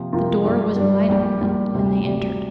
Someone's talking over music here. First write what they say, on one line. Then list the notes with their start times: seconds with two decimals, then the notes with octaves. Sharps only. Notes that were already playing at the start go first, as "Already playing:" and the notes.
The door was wide open, and they entered.
Already playing: C3 F3 A#3 F4 A#4
0.12 C3 F3 A#3 F4 A#4
0.44 G2 G3 D4
0.76 G2 G3 D4
1.09 A#1 A#2 G3
1.41 A#1 A#2 G3
1.73 D2 C3 G3
2.05 D2 C3 G3